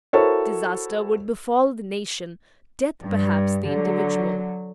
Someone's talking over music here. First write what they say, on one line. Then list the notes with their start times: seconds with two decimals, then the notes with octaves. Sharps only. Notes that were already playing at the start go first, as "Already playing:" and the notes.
Disaster would befall the nation,--death, perhaps, the individual.
0.13 E4 F#4 A4 A#4 C5 C#5
3.02 G2
3.67 D3 F#3